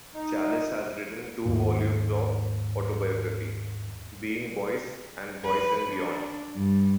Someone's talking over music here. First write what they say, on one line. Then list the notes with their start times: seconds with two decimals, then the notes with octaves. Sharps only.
Challis has written two volumes of autobiography, "Being Boycie" and "Boycie and Beyond".
0.13 D#4
1.45 D#2 G#2
5.44 B4
5.92 D4
6.55 G2